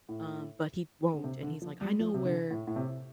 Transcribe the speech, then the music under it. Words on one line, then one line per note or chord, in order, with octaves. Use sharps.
um, but he won't and he's, like, "I know where
A2
D3
C3
D3
F3
G3
F3
C3
D3
A2
A2
C3